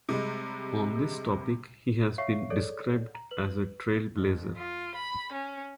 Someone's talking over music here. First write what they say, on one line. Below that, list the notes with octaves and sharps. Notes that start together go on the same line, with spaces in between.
On this topic he has been described as a trailblazer.
C3 G3 G#3
C#5 E5 F5 C#6 C7
G#4 A4 C#5 D5
A#5
B4 F#7
F2
F4
B5
C#4